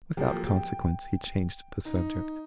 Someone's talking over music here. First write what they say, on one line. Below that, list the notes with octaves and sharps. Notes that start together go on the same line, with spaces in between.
Without consequence he changed the subject.
F3 F#3 G#3 A#3 G4 A4
G5
D#4